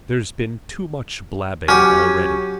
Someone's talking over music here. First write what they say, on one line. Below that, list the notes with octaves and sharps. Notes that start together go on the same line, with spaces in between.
"There's been too much blabbing already."
F#3 C#4 G4 G#5 F6